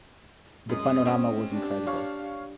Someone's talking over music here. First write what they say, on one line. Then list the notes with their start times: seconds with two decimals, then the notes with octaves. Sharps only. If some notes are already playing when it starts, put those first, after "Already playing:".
The panorama was incredible.
0.69 F#2 G#3 D#6
1.06 C4 C#4
1.51 D4 G4
1.87 C#5 F5 C#6